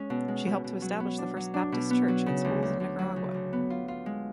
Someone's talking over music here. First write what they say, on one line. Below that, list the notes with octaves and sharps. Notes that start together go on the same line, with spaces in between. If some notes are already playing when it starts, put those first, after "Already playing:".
She helped to establish the first Baptist church and schools in Nicaragua.
Already playing: G#3 C#4
B2
G#3
B2
B2
F#3
B3
D4
F#3
D4
B2
B3
F#3
C#3
D2
D2
D2
F#3
C#3
D2
B3
F4
F4
G#3